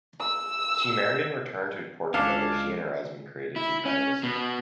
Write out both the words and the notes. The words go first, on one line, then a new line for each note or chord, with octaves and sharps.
She married and returned to Portugal where she and her husband created two titles.
E6
C#2 C#4 D4 A4 F5 D6
E4
C#4
B2